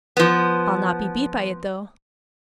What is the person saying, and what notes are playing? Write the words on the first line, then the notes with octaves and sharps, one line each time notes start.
I'll not be beat by it, though.
F3 B3